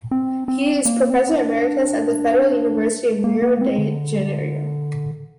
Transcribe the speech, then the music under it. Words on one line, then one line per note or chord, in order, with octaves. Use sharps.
He is professor emeritus at the Federal University of Rio de Janeiro.
C4
C4
A#3
C4
D4
A#3
A#3
C4
D3